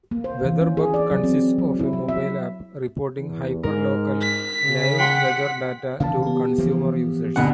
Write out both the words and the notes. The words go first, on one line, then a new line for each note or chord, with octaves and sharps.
WeatherBug consists of a mobile app reporting hyperlocal live weather data to consumer users.
A#3
C5
E3
C#4
G#4
D5
F#3
C4
F#3
E4
F#3
E5
E2
G#2 A#4
B6
C#3
F#5 G5 C6
C#3 E3 A#3 F5 A5
B3 G4
E3 F3 A#3
D2 B2 F#5